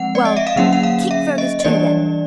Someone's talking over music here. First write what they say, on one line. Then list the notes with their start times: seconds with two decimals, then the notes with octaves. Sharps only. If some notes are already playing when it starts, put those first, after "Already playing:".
"Well, keep Fergus too, then."
Already playing: F3 G#3 C4 F#5
0.15 D5
0.25 D#5
0.37 E5
0.47 F5
0.56 D3 F#3 A#3 C#4 F#5
0.73 F#5
0.83 F5
1.11 E5
1.38 D#5
1.60 D#5
1.64 E3 G3 A#3 D4 D5